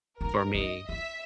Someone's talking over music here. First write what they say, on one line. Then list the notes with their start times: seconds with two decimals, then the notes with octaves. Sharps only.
for me,
0.20 D#4 A#4
0.55 D#4 D#5
0.89 E4 E5